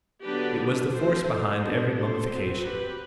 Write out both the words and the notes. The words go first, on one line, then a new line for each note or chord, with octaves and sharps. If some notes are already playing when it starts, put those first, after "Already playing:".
It was the force behind every mummification.
D3 F#3 B3 D4 G4 B4
F#3 A3 C4 A4 C5
G3 B3 D4 A4 C5
A4 C5
F#3 C4
G4 B4